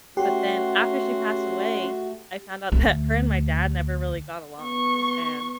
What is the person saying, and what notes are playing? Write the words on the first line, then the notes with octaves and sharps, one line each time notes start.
but then after she passed away, I found out that her and my dad never really got along, and
A3 C#4 F#4 G4 F#5 C6
D2 A3
B3 C#6